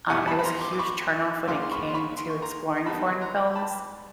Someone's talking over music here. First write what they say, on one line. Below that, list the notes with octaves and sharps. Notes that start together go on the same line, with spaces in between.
um, it was a huge turn off when it came to exploring foreign films,
E2 B2 G3 F#5 G#5
A5 B5
B5
A#5 C6
C6 D6
D6
B5 C#6
D2 C#3 F3 A#3 C6 D6
C6
B5 C#6
C6
B5 C#6
C6
C#6
A#5 C6
D3 G3 B3 D#4 A5 B5
A#5 C6
A5 B5